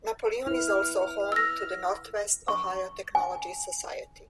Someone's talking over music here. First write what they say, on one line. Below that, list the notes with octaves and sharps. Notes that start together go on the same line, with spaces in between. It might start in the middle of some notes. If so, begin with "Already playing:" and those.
Napoleon is also home to the Northwest Ohio Technology Society.
E4 B4 F6
E6 A#6
C#6
G#5